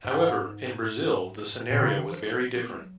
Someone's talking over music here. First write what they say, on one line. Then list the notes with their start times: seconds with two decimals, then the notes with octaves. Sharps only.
However in Brazil the scenario was very different.
0.05 G#2
1.70 A#2
1.80 D#3
1.84 C#3
1.98 D#3
2.11 F3
2.58 B3
2.66 A#3
2.72 G#3
2.81 F#3